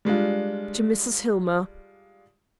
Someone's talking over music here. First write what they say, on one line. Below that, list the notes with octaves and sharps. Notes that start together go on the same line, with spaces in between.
"To Mrs. Hillmer."
G3 G#3 D4 F4